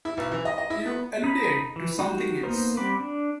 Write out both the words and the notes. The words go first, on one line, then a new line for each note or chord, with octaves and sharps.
You alluded to something else.
E4
B1
E3
D#5
D#5
E4
B3
D#4 B5
E3
D#4 F#4 G4
A#3 B3 D#4 A#4 C5
G3 C4 F#5 B5 D6
D4